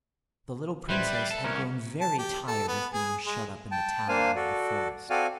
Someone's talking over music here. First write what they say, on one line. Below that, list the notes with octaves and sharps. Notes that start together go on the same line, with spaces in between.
The little princess had grown very tired of being shut up in the tower of the forest.
A1 G3 B4 C5 E5 G#6
A6 C7
A4
C2 C#4 A#4
A5
G4
A4
B3
G#4
G#3
G5 A5
A#3 D4 C5 F5 G#5
F#4 A4 D5
C4 F#4 A4 D5 F5 G#5